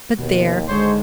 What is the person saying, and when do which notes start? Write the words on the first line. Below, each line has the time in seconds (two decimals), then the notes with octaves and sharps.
But there!
0.19 D#2 B2
0.67 G#1 G#2 D3 G#3 C5 C#5